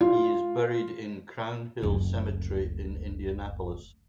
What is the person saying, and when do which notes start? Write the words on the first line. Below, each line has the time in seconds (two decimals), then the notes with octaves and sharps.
He is buried in Crown Hill Cemetery in Indianapolis.
0.01 F4
1.82 F#1 D2